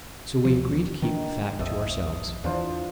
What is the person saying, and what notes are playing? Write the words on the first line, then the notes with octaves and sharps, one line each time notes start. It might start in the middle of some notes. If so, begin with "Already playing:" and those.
So we agree to keep the fact to ourselves.
D2 A#2 F3
D#3 E3 D4
A#1 F2 D#5 E5 A5
E2 E3 D4 F4 C5